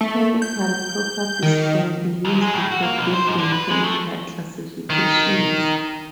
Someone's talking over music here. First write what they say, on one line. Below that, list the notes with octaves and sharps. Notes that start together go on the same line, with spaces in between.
Chemical properties can be used for building chemical classifications.
A3
G6
D#3
D#2
G#3
A2
F#4
A#3
B1
C5
G#2
D3
B4
G#3
A3
D#3